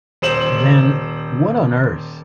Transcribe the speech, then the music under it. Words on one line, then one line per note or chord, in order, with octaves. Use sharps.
Then - what on earth?
D#1 C5 E7 F#7